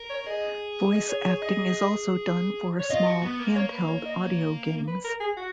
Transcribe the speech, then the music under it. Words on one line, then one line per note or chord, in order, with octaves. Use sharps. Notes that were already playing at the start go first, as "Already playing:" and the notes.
Voice acting is also done for small handheld audio games.
Already playing: A#4
C#5
G#4 D#5
D#5
C#5
C#5
D#5
C#5
F4 D#5
F#4
B3
A#3
C#5
B4
C#5
D#5
C#5
B4
A#4
G#4
F#4